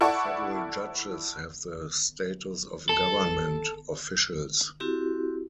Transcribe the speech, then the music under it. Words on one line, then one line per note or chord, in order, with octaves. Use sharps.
The federal judges have the status of government officials.
E4 A4 D5 F#5 A5 C#6
A4
C4 E4 F#4 G4